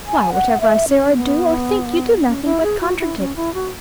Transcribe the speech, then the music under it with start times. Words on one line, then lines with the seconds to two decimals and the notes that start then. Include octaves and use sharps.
Why, whatever I say or do, or think, you do nothing but contradict.
0.06 G#5
0.33 F#5
0.61 E5
0.89 C#4
1.16 B3
2.26 C#4
2.44 E4
2.63 G#4
2.80 F#4
2.99 E4
3.18 C#4
3.36 E4
3.54 F#4